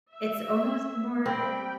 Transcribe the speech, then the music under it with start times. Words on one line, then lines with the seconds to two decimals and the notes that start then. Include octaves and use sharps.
it's almost more
0.13 E5
1.26 G3 C4 G5 B5